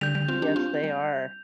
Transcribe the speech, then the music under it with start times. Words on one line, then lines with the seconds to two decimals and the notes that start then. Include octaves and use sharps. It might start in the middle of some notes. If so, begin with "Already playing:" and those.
Yes, they are.
0.01 D3 G3 G6 F7
0.15 D3 G3
0.28 C4 F4
0.42 D4 G4
0.56 C4 F4
0.84 G3